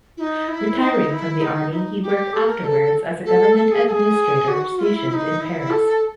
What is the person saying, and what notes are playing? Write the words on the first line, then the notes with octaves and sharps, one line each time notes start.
Retiring from the army, he worked afterwards as a government administrator stationed in Paris.
E4
D#4
E4
D#4
E4
D#4
E4
D#4
G4
A4
A#4
A4
A4
A4
G#4
A4
G#4
F#4
F4
E4
E4
D#4
E4
A4